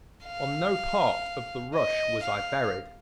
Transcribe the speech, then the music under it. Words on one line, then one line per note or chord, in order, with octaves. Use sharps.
On no part of the rush was I buried.
F5
D#5
F5